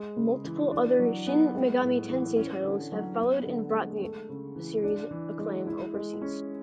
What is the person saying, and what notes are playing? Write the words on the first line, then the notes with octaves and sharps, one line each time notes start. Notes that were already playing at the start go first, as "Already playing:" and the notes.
Multiple other "Shin Megami Tensei" titles have followed and brought the series acclaim overseas.
Already playing: G#3
C#3
E3
D4
F#3
B3
G#3
A2
E3
C#4
D3
F#3
B3
D3
G#3
A3
C#3
E3
D4
E3
G#3
E4
G#3
C#4